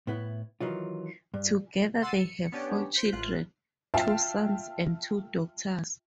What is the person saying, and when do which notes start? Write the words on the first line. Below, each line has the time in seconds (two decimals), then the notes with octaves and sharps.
Together they have four children: two sons and two daughters.
0.07 A2 B3 E4
0.61 D#3 E3 F#3 F4
1.34 G2
2.01 F#5 C6 E6 A6 C7 D#7
2.17 C#7
2.52 B3 C#4 D4 G4
2.94 C5 G6 B6
3.12 A1 F4 F#6
3.94 F4 E5 F5 G5 A5